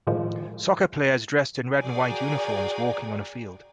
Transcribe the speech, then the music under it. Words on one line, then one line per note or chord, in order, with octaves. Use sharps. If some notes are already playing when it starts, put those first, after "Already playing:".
Soccer players dressed in red and white uniforms walking on a field.
A2 D#3 F3 G#3
F#4 G#4 A#4 D5 G5 G#5